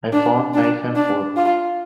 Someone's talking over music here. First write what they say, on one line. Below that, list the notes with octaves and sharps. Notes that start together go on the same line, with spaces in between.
I found knife and fork.
D4
D4
D4
F4